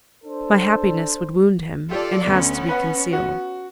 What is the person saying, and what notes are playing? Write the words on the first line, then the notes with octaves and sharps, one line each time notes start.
My happiness would wound him, and has to be concealed.
D4 A4 C5
F4 G4 A4 D5
D2 B3 C#4
B4 F#5
F#4